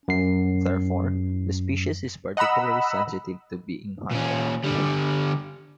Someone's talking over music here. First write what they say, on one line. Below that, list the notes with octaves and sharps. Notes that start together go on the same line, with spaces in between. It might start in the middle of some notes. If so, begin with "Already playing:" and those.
Therefore, the species is particularly sensitive to being hunted.
F#2 C7
D#5 F#5 A#5 B5 E6
A#2 C#4
D3 G3